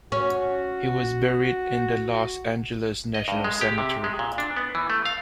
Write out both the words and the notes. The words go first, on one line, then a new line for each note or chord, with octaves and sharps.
He was buried in the Los Angeles National Cemetery.
C#4 F#4
D#5
G2
G#3
G4
C3
G#3
A#2
D4
B3
E3
A3
F5